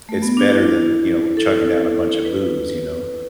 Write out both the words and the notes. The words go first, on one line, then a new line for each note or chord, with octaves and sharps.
it's better than, you know, chugging down a bunch of booze, you know?
A3
B3
D4
E4
A4
B4